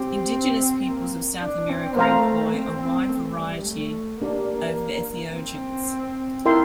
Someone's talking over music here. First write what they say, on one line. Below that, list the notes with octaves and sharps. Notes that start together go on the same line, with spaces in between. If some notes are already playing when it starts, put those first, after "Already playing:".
Indigenous peoples of South America employ a wide variety of entheogens.
Already playing: C4 G4
A#3
D4
C4
A3 C5 F5 A#5
C4
C4
A3
G3
A3
A#3 D4 G4 D5
C4
E4 A#4 E5 G5 C6